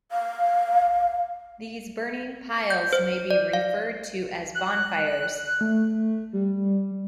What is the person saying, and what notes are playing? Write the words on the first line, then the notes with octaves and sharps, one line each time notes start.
These burning piles may be referred to as bonfires.
F5
G6
C5
D5
F5
F#6
A3
G3